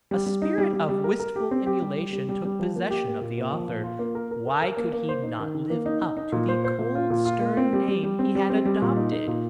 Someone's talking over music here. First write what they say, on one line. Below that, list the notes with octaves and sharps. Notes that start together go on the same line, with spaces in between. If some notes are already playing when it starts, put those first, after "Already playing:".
A spirit of wistful emulation took possession of the author; why could he not live up to the cold stern name he had adopted?
G3
G3
D#4
G3
G3
G3
A#4
A#4
G4
C4
G4
G3
G4
G3
G3
G3
F3
A#3
G4
A#3
A#2
A#3
F3
A#2
F4
A#3
A#4
A#4
A#4
A#4
A#3
A#3
C5
D#4
D#3
D#3
A#3
D#4
D#4
D#4
A#2
C5
C5
A#2
F4
A#2
F4
A#3
C4
G3
G3
G3
C4
G3
C4
G3
A#2
D#4
D#4
A#2